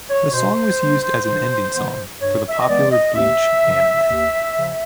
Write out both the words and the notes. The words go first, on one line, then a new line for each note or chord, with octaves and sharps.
The song was used as an ending song for the popular "Bleach" anime.
C#5
B2 C5
G3 A#3
G2
E3 G#3 B3
G2 C#5
E5
D#5
E3 G#3 B3 D5
D#5
D#2 E5
C#3 F3
D#2
C#3 F3